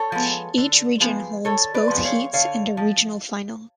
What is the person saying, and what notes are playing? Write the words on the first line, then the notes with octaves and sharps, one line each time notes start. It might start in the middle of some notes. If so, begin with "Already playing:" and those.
Each region holds both heats and a regional final.
Already playing: A4 C#5
F3 G#3 B3
D3
F3 G#3 B3
D3 A4 C#5
B4 D5
F3 G#3 B3
C#5 F5
D3 C#5 F5
F3